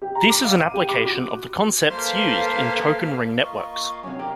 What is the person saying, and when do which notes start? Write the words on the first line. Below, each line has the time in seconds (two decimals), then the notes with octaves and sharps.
This is an application of the concepts used in token ring networks.
0.02 G4
0.15 A#5
0.30 D6
0.45 F5
0.58 D#7
0.74 G4
0.89 D6
1.05 F#4
1.90 A#3 A4 B4 C5 F5 C6
3.43 A#3 F4 D#5 C#6
3.90 F5
4.03 F#2 C3 C#5 G#5 D6
4.19 G4 A#4 D5 A#5